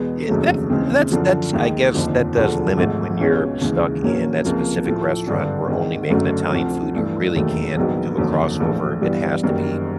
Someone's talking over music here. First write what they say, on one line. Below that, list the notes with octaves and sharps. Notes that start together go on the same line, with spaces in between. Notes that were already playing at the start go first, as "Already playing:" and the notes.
Yeah, that's that's that's I guess, that does limit when you're stuck in that specific restaurant where only making Italian food. You really can't do a crossover, it has to be,
Already playing: E2 B2 G#3 B3
F1 D#2 C#3 F#3 A3
D#2 C#3 E3 G#3 C4
F#2 D3 F3
D#2 D#3 G#3
F1 D#2 D3 F3
E1 D2 D3 F3
G#1 G#2 F3 A3
C#2 B2 G#3 C#4
D#2 C#3 E3 G#3
A#1 A#2 F#3 A#3 C#4
C#2 C3 F3 A#3
A2 F3 A3
G#1 G2 D3
G#1 G#2 D#3
F#1 F#2 D3 F#3 A3
D2 C3 F3
G2 E3 A3
E1 D#2 D#3 F#3 A3
A#1 G#2 D#3 F#3 B3
F1 D#2 D3 F#3
A#1 A2 E3
G2 E3 G3 B3
F#1 F#2 D#3 G3 A#3